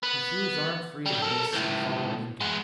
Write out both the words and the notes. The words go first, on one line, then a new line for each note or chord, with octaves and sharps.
He threw his arm free of this and followed Lincoln.
B3
F#3 G3
A4 A#4
C#2 A2
G#3 B3